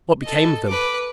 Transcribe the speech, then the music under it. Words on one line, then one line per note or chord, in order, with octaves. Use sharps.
What became of them?
A4 D#5
B4 D6